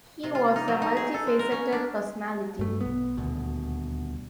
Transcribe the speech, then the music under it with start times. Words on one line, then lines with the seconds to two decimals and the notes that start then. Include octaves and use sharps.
He was a multi-faceted personality.
0.23 C3
0.35 F4
0.56 D#4
0.68 F#3
0.82 D#4
0.97 G#4
1.14 A4
1.27 G#3
1.39 A#4
1.52 C#4
1.72 D4
2.59 G2 A3
2.81 B1 B3
3.17 D#1 D2 B2